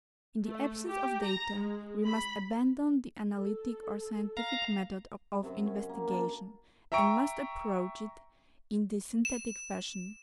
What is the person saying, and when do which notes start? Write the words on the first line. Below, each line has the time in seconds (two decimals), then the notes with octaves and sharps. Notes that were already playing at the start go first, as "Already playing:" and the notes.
In the absence of data we must abandon the analytic or scientific method of investigation, and must approach it in the synthetic fashion.
0.46 A3
0.87 G4
1.24 A#5
1.58 G#3
2.07 B5
3.33 A4
4.37 F5 A#5
5.43 F#2 C3
5.66 C#4
5.89 A#3
6.08 A#3 D4
6.92 E5 G5 A#5 C#6 D7
9.25 E7